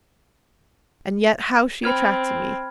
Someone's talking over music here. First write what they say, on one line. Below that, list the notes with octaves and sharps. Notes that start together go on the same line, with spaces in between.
And yet how she attracted me!
C4 B5 F6 G#6